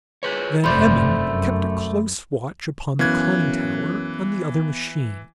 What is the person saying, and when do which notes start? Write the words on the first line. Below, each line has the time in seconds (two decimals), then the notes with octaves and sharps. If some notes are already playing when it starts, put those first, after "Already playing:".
Van Emmon kept a close watch upon the conning tower on the other machine.
0.23 G#4 B4 C#5
0.64 F1 G2 A3 C5 D5 B5 C6
1.25 F#2
2.99 F#2 E3 B3 F#6 G#6